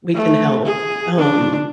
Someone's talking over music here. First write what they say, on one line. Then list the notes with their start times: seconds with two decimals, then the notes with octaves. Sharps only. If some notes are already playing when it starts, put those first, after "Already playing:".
we can help, um
0.14 A3
0.65 G#4
1.18 D4